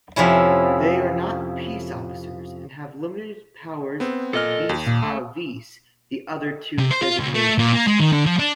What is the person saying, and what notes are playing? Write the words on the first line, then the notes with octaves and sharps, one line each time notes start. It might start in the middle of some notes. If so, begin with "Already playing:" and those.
They are not peace officers and have limited powers "vis-a-vis" the other two designations.
F2 C3 C#4 E4
B3 C4
A#2 A4 D#5 F6
D#2
A#2
A3
C3
C5
F4
C#2
A3
A#2
A#3
G#3
D#3
D3
F3
D4